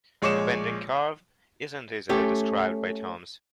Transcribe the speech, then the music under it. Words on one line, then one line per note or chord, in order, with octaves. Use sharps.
The bending curve isn't easily described by terms.
A#1 G#3 C#5 D6 C#7 E7
A3 C#4 G4